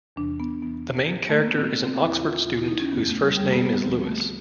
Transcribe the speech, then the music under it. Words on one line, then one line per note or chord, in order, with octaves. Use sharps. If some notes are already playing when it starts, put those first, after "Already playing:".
The main character is an Oxford student whose first name is Lewis.
E2 C3 E3 D4
B3
E2 C3 E3 B3
A2 F#3
A3
A#3
B3
A2 F#3 C4
B3
C4
D#2 C#3 E3 E4
F4
D#2 C#3 E3 F4
E4
D#4
C#4
F2 C#3 F#3 B3
A3
G3
F2 C#3 F#3 G3
A#3
B3
B3
D2 D3 F3 C4
A3